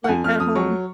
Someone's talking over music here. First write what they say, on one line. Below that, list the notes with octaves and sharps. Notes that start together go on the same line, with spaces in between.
Like, at home.
F#5
F2 G#5
F2 F6
F2 D#6
F#3 C#6